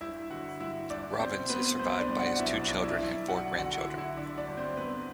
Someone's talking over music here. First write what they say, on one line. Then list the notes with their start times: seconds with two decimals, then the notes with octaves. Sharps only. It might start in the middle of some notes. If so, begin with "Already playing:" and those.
Robbins is survived by his two children and four grandchildren.
0.01 G1 E4 E5
0.30 D3 F#4 F#5
0.60 G2 E4 E5
0.90 G1 D4 D5
1.20 B2 C4 C5
1.50 B2 B3 B4
1.79 C2 C4 C5
1.99 D4 D5
2.09 C2
2.19 F#4 F#5
2.39 B1 E4 E5
2.53 D4 D5
2.69 B1 D4 D5
2.84 E4 E5
2.99 B1 E4 E5
3.28 B1 F#4 F#5
3.58 D3 F#4 F#5
3.78 E4 E5
3.88 D3
3.98 E4 E5
4.17 D3 D4 D5
4.38 D4 D5
4.48 G1
4.57 C4 C5
4.77 G1 B3 B4